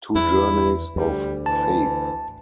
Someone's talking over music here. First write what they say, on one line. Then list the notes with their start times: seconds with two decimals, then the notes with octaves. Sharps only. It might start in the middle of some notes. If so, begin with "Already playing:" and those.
Two Journeys of Faith.
0.15 E2 E4
0.96 D2 G3
1.46 E3 A5